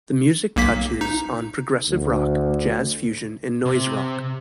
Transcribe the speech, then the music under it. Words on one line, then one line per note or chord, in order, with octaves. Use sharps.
The music touches on progressive rock, jazz fusion and noise rock.
B1 A#3 B6
D#4
D2
C3